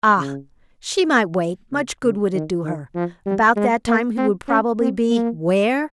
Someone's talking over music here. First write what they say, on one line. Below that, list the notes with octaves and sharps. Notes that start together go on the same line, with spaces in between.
Ah! she might wait--much good would it do her; about that time he would probably be--where?
C#3
C#3
C#3
D#3
D#3
F3
G3
G#3
A#3
C4
C#4
C4
A#3